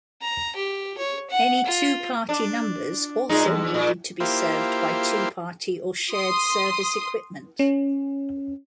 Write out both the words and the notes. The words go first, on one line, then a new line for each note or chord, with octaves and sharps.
Any two-party numbers also needed to be served by two-party or shared service equipment.
A#5
G4
C#5
F#5
F4
D4
A#2 G#3 D#4
E2
A#2
A#3 E4 F4 G4 C5
C6 D#6
C#4